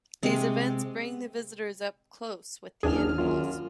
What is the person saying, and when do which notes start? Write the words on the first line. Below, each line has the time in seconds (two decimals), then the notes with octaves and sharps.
These events bring the visitors up close with the animals.
0.23 C3 G#3 C4
2.83 F#1 D#2 E3 D4 G#4 F6
3.18 F#2 F4